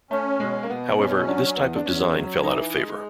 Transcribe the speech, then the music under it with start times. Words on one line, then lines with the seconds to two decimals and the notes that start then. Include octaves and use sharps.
However, this type of design fell out of favour.
0.11 A3 C#4
0.40 B2 G#3
0.63 A#3
0.69 B2 B3
0.98 C#4
1.27 F#3 D4
1.57 E2 B3
1.76 D4
1.86 E2 C#4
2.15 F#3
2.44 E3 D#4
2.74 G#3